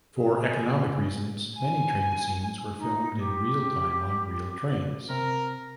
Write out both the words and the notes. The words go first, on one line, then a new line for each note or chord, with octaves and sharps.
For economic reasons many train scenes were filmed in real time on real trains.
G#4
G#5
D#4
G4
C3 A#4